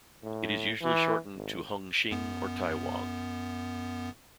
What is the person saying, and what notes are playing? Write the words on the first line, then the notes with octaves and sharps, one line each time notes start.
It is usually shortened to Hung Shing or Tai Wong.
A2
E3
G#1
F#2 B3